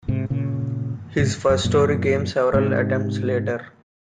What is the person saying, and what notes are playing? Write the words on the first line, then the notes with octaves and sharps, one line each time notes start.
His first story came several attempts later.
G#2 C3
A#2 C#3
G#2 C3
F#2
F#2 A#2
G#2 C3